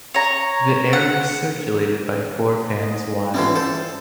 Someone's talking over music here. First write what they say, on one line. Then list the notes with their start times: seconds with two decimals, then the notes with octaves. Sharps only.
The air was circulated by four fans wide.
0.14 C#5 A#5
0.93 F#5
2.82 D#5
3.34 D3 E3 G3 C#4 F4
3.56 A4 C5